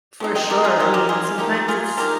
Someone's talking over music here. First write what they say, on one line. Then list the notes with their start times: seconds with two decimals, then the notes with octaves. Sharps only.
For sure. I mean, sometimes it's
0.20 F3 C4 D#4
0.35 D#5 G5
0.50 G4 A#4
0.64 F4 G#4
0.79 F3 C4 D#4 G4 A#4
0.94 G4 A#4
1.09 F4 G#4
1.24 F4
1.38 F3 A#3 D#4 G4
1.68 F4 G#4
1.97 F3 A#3 D#4 G4 A#4